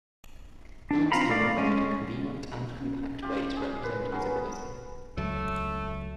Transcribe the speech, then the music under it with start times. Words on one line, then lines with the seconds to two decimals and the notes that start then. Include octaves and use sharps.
Beams can provide a convenient and compact way to represent visibility.
0.91 D4
1.12 C4 F4 F5 A#5 B5
1.29 A3 A#4 D5 F5
1.58 G#3 C#4
2.79 C#4
3.22 F4 G4
3.56 G#4
3.83 A#4 B4
4.12 F#3 B3 C#4
5.17 C#2 F#3 A3